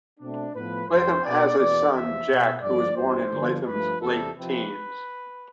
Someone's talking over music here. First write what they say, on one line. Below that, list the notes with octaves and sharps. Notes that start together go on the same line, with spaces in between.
Latham has a son, Jack, who was born in Latham's late teens.
B2 A3 C4 D4
A2 F3 B3 B4
F2 C3 F3 C5
B2 B3 D5
E2 B2 B3 D5
E2 C3 F3 E5
B2 B3
G2 D3 F3 A3 D5
G2 E3 G3 C4 C5
G2 D3 F3 B3
G2 F3 A3 B4
E2 C3 G3 A4
C3 F3 C4 B4